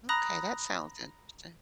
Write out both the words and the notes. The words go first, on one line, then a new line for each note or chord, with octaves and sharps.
Okay, that sounds interesting.
A#5 B5 D#6 F#6 A#6